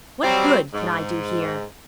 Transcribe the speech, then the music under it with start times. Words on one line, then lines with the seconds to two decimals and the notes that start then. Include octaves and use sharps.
What good can I do here?
0.24 F#3 G3 C4
0.74 G#2